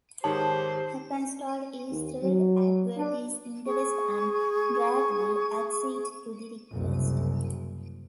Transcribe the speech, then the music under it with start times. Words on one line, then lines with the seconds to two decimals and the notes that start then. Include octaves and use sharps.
Heppenstall is thrilled at Bertie's interest and gladly accedes to the request.
0.24 G#2 D#3 G4 C5 C#5 A5
1.90 D#2
2.23 F#3
2.97 D4
3.67 G#4 C#6
6.72 F#1 C2